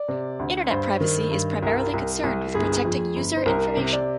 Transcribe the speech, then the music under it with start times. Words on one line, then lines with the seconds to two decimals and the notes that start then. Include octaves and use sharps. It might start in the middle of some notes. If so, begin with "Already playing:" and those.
Internet privacy is primarily concerned with protecting user information.
Already playing: D5
0.08 C3
0.39 D2
0.70 G2 C5
1.00 D#3
1.31 G2
1.62 C2 A#4
1.94 C2
2.23 C2
2.54 G1 G#4
2.85 F2
3.16 G1
3.37 C5
3.46 C2 A#4
3.77 C3
3.93 D5